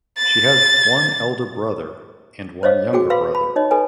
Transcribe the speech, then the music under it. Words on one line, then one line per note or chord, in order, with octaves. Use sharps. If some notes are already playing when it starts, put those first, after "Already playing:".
She has one elder brother and one younger brother.
A6
C5 C#5 D#5 F5
F#4 G#4 G5 D6
B4 F5 B5 C6
B5
D#4 C#5 D#5
A4 B4 G#5